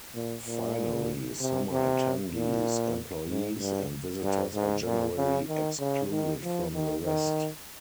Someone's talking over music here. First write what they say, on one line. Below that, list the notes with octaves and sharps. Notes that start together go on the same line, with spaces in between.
Finally, summer attendees, employees and visitors are generally excluded from the list.
A#2
A#2
C3
C3
A#2
G#2
G2
G2
G#2
A#2
C#3
D#3
C#3
D#3
F3
D#3
D#3